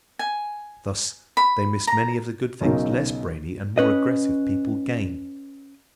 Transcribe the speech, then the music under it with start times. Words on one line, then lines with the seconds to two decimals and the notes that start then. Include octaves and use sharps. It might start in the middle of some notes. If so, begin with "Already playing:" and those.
Thus they miss many of the good things less brainy and more aggressive people gain.
0.19 G#5
1.37 B5
1.87 A#5
2.61 B1 C#3 F#3 D#4 A#4
3.78 C#4 B4 D#5